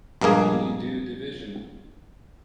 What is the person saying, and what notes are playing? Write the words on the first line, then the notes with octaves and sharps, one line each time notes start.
Can you do division?
A#1 G2 G#3 A#3 G#4